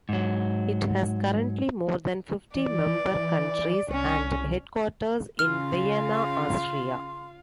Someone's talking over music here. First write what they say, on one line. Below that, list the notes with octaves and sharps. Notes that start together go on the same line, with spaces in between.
It has currently more than fifty member countries and headquarters in Vienna, Austria.
G#2 F#3
E3 D5
C2 C#4
C#3 F4 F5 C6 F6